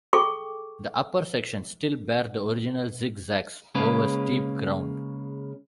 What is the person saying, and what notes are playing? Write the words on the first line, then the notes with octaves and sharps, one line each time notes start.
The upper sections still bear the original zig-zags over steep ground.
G#4 A4 G5 C#6 D6
C#3 G#3 A#3 C#4 B4